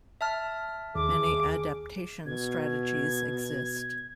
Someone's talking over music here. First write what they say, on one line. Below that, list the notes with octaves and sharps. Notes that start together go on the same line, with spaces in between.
Many adaptation strategies exist.
E5 A5 F6
D#2 G#4 D6
B2 G#6